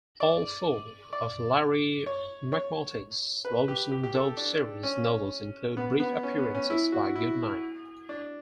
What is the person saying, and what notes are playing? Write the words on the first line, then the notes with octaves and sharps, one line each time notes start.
All four of Larry McMurtry's Lonesome Dove series novels include brief appearances by Goodnight.
D5
D5
C#5
C#5
B4
G4
G4
G4
A4
D4
C#4
B3
B3
C#4
B3
C#4
E4
F#4
E4
D4